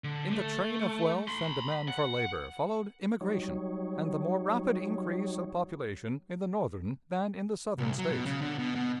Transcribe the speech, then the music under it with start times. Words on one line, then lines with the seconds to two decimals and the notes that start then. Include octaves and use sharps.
In the train of wealth and demand for labor followed immigration and the more rapid increase of population in the Northern than in the Southern States.
0.04 D3
0.32 A3
1.28 B5 C6
1.88 F#5
3.21 F#3 G3 D#4 C#5
7.78 C2
7.98 F#3
8.12 B2
8.26 C#3
8.42 D3
8.59 B2
8.75 B2